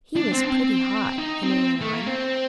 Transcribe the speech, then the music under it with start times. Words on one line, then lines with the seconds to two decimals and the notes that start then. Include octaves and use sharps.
"He was pretty hot," Henry went on.
0.16 D4
0.33 C4
0.45 D4
0.50 C4
1.18 D#4
1.43 C4
1.81 A3
1.94 A#3
2.07 C4